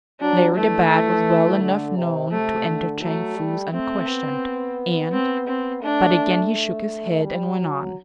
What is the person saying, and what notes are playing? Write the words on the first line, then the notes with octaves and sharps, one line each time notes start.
Larry the Bat was well enough known to enter Chang Foo's unquestioned, and--but again he shook his head and went on.
F#3 D4
E3 A3
E3
D3
C3
C3 A3
D3
F#3 A3
G3
A3 C4
B3
C4
C4
A3 D4
G3
F#3